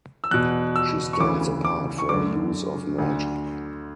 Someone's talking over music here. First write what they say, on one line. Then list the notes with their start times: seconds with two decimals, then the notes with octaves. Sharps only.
She stands apart for her use of magic.
0.24 E6
0.31 E2 B2 F#6
0.76 E6
1.13 C#6
1.20 D2 C#3 E3 D6
1.65 D6
1.98 C#6
2.09 F#2 D3 D6
2.98 D2 D3